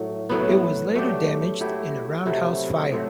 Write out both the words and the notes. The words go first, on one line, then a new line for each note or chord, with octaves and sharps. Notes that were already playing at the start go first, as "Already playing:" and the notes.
It was later damaged in a roundhouse fire.
Already playing: A2 F#3 A3
A2 F#3 B3
F#3 A3 D4 G4
F#3 A3 E4 G4
C3 F#3 A3 E4
A2 F#3 A3 C4